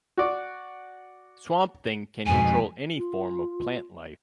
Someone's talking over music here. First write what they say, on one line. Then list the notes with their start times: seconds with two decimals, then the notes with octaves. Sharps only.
Swamp Thing can control any form of plant life.
0.17 F#4 D5
2.26 F2 G#2 B2 G#5
2.97 F4